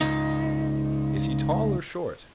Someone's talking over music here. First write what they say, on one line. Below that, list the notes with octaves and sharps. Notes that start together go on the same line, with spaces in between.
"Is he tall or short?"
C#2 D#4